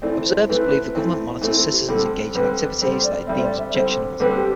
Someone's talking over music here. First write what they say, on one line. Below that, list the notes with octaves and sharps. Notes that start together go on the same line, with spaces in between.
Observers believe the government monitors citizens engaged in activities that it deems objectionable.
E3 A3 C4 D5
C5
E3 A3 C4 B4
E3 A3 C4
E3 A3 C4 A4
A4
G4
D3 G3 C4 A4
D3 G3 C4 B4
D3 G3 C4 C5
D5
D3 G3 C4 E5
C5
D5
E5
D3 G3 C4 C5
D3 G3 C4 B4
G4